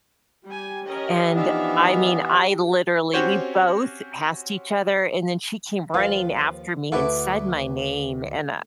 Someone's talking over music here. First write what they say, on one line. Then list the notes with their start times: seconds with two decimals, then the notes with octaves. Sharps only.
And, I mean, I literally we both passed each other, and then she came running after me and said my name, and,
0.48 G3 G4 G#5
0.85 C#4 A#4 D#5
1.35 E3 F3 B3 D4 D#4 E5 F5
2.23 G4
3.13 C4 C#4 F#4 G4 C5 C#5
5.94 D#2 F3 F4 B4
6.92 D2 E4 F#4 A4 B4 D5